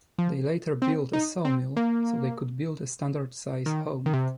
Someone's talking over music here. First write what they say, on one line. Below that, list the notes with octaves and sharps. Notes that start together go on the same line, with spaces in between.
They later built a saw mill so they could build a standard size home.
F3
C4
D#4
C4
A#3
D#3
D#3
C3